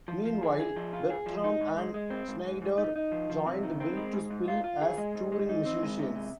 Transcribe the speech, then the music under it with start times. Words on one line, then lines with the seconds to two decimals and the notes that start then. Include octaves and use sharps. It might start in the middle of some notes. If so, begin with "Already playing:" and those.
Meanwhile, Bertram and Schneider joined Built to Spill as touring musicians.
0.08 F3
0.25 F3
0.43 G#4
0.60 G#4
0.76 F3
0.93 F4
1.10 G#4
1.26 F3
1.44 D#4
1.61 G#2
1.77 G#3
1.94 G#3
2.10 C4
2.28 G#2
2.45 G#2
2.62 G#2
2.78 D#4
2.96 D#4
3.12 F3
3.30 F3
3.46 C3
3.63 D#3
3.80 C4
3.97 G#3
4.14 G#2
4.30 G#2
4.48 F4
4.64 F4
4.82 G#4
4.98 G#3
5.15 G#2
5.32 G#3
5.49 D#4
5.65 C4
5.83 G#3
5.99 C3
6.15 G#3